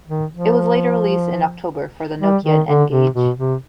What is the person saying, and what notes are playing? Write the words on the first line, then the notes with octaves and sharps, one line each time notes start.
It was later released in October for the Nokia N-Gage.
D#3
F3
G3
D#3
D3
C3
B2
C3